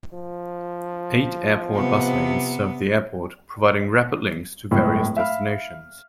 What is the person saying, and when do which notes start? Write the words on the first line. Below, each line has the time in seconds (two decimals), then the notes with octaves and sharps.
Eight airport bus lines serve the airport, providing rapid links to various destinations.
0.13 F3
1.75 C3 B3
4.71 D1 G1 A2 G#3
5.17 E5 F5 B5 F6